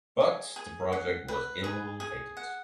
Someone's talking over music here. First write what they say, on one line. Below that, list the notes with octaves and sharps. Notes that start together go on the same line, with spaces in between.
But the project was ill-fated.
G#4
G#4
F#5
B4
G#4
G#4
F#5